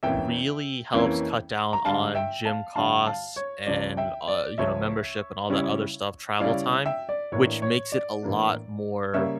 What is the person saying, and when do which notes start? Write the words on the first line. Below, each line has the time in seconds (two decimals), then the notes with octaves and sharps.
really helps cut down on gym costs, and, uh, you know, membership and all that other stuff, travel time, which makes it a lot more,
0.03 F2 E3 A#3 C#4 E4 E5 G5
0.94 F2 E3 A#3 C#4 E4
1.73 A#5
1.85 G2 D3 G3 F5 A5
2.15 E5 G5
2.45 F5 A5
2.76 G2 D3 G3 F5 A5
3.06 F5 A5
3.36 C#5
3.67 C#2 C#3 F3 C#4 D5
3.97 E5 G5
4.28 D5
4.58 C#2 C#3 F3 C#4 C#5 E5
5.50 C#3 G3 C#4 E4
6.40 C#3 G3 C#4 E4 D5 F5
6.86 E5 G5
7.09 D5
7.32 A2 E3 A#3 D4 C#5
7.62 C#5
7.92 D5
8.23 A2 E3 A#3 D4
9.14 C#3 G3 A#3 C#4 C#5 E5